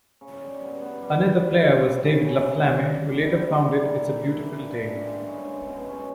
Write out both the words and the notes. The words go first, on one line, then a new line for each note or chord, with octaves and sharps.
Another player was David LaFlamme who later founded It's a Beautiful Day.
C#3
G3
B3
B3
G3
G4
G4
G4
C#3
C#3
C#3
C#3
G3
G3
G3
E4
G3
G3
A#3
E4
E4
G2
G2
G2
G#3
C#4
G#3
B2
C#4